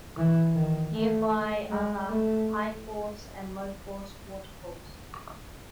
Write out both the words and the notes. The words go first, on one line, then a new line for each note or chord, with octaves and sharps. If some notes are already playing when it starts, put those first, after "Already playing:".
Nearby are the High Force and Low Force waterfalls.
E3
D#3
A3
G#3
A3